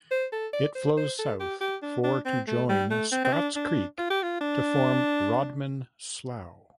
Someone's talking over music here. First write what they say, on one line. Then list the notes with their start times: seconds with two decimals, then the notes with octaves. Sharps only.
It flows south for to join Scotts Creek to form Rodman Slough.
0.11 C5
0.32 A4
0.53 D5
0.75 C5
0.97 C5
1.19 A4
1.40 G4
1.61 G4
1.82 D4
2.04 D4
2.25 C4
2.47 A3
2.69 G3
2.90 A3
3.12 C4
3.24 C4
3.33 D4
3.55 D4
3.98 F4
4.10 G4
4.23 F4
4.40 D4